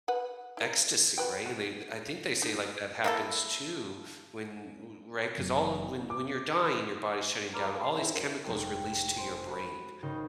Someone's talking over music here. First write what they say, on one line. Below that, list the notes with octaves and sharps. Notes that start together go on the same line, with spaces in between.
ecstasy, right, and they I think they say, like, that happens, too, when ooh right, 'cause all when when you're dying, your body's shutting down, all these chemicals release to your brain,
B4 F#5
E4 A#4
F#4 B4 G5
F#4
D#4
A#3 E4 A4
F#1
D6
E2 G2 A#5 B5 D6 F6
A#3
C3 G3 B5 C6
G#2 E4
F#2
F1 G#3 A4 G5
C5 G#5
F#4 B5
G#1 C#3 D#4 G6